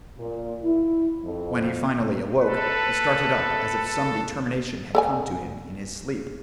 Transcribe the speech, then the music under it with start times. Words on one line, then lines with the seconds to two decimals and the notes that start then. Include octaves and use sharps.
When he finally awoke, he started up as if some determination had come to him in his sleep.
0.17 A#2
0.64 E4
1.24 F2
2.41 A4 B4
4.95 A4 D5 G#5